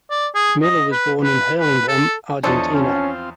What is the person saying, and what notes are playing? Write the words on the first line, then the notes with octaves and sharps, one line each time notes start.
Miller was born in Hurlingham, Argentina.
D5
G#4
D#5
B4
B4
B4
A4
E2 F3 D4 A4 C5 C#5 D#5
C4 C#4 F4